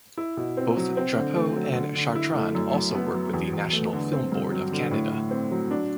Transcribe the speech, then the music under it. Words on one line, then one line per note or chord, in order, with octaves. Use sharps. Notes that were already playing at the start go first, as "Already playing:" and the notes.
Both Drapeau and Chartrand also work with the National Film Board of Canada.
E4
B2
C4
F#3
C4
D3
A3
F#3
D3
D3
E4
A3
F#2
F#2
B3
F#3
E2
E2
A3
D3
C4
G2
F#3
D3
A2
A2
C4
F#3
D4